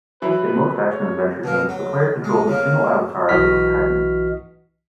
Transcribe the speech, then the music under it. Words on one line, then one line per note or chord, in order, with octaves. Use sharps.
In most action-adventure games, the player controls a single avatar as the protagonist.
E3 F#3 B4
C#5
B2 A#3
F#3
G#3
C#3 A#3
B1 E3 F#4 D#5 F6 B6